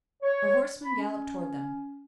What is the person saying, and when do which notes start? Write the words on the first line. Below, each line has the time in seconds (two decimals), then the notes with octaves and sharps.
A horseman galloped toward them.
0.23 C#5
0.83 B5
0.98 C#4